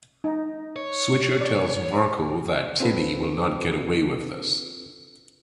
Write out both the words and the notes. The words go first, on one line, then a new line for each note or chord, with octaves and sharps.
Switcher tells Marco that Timmy will not get away with this.
D#4
C#5
D5
C4 D4 F4 A4 B4